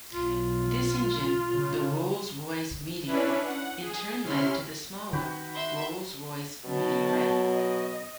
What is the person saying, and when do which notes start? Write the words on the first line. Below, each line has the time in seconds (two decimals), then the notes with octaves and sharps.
This engine, the Rolls-Royce Meteor, in turn led to the smaller Rolls-Royce Meteorite.
0.13 B1 F4
1.51 C#3
3.06 C#4 D4 E4 B4
3.44 F#5
3.82 G#4
4.24 C3 C#4 E4 C6 F6
5.13 D#3 F#4 B4 G5
5.54 E5 C6
6.65 B2 F#3 B3 A5
7.51 D#5